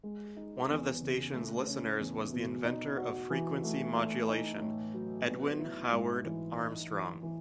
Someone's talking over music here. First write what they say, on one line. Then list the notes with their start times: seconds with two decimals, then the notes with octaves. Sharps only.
One of the station's listeners was the inventor of frequency modulation, Edwin Howard Armstrong.
0.03 G#3
0.37 D#4
0.69 E2
1.02 C#3
1.34 A3
1.67 C#4
1.99 E2
2.32 B2
2.65 D#4
2.97 F#4
3.30 E3
3.64 A3
3.96 A3
4.28 D#4
4.61 A2
4.94 F#3
5.27 B3
5.59 E4
5.92 G#2
6.25 E3
6.57 D#4
6.90 E3
7.23 E3